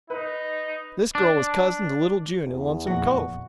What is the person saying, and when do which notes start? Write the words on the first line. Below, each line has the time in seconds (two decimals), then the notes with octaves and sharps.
This girl was cousin to little June in Lonesome Cove.
0.10 D#4 B4
1.15 D4
2.45 E2
2.87 F2 A#2 F#4